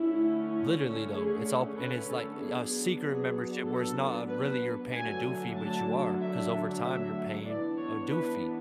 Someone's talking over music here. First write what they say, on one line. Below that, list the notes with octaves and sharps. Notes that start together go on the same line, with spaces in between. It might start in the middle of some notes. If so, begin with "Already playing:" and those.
literally though, it's all p and it's like, eh, a secret membership where it's not really you're paying a due fee, but you are 'cause over time you're paying a due fee.
Already playing: D3 A3 C#4 E4
G#4
B4
A4
F#3 B3 D4 G#4
G#4
A4
B4
D3 F#3 A3 D4 G#5
A5
E5
E5
E3 B3 D4 D5
C#5
B4